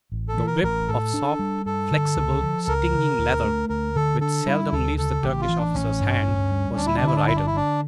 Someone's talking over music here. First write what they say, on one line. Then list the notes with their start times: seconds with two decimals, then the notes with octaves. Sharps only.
The whip of soft, flexible, stinging leather, which seldom leaves the Turkish officer's hand, was never idle.
0.12 A1
0.28 A4
0.38 E3
0.47 A#4
0.63 A1 A#4
0.88 A2 A4
1.14 D4
1.39 G3
1.66 G2 A4
1.91 D3
2.17 C#2
2.42 F3
2.67 C#2 A#4
2.93 C#3
3.19 D2
3.44 A3
3.69 D2 A#4
3.96 D3 A4
4.21 D4 A4
4.47 G3 E4
4.72 D2 A4
4.98 C#3 A4
5.23 A1 G4
5.41 F4
5.49 E3
5.58 D4
5.74 A1 C#4
6.00 G2
6.26 D2
6.51 G3
6.76 D2 D4
6.86 E4
6.97 D4
7.03 D3 E4
7.16 D4
7.27 G1 E4
7.36 D4
7.47 E4
7.54 D3 D4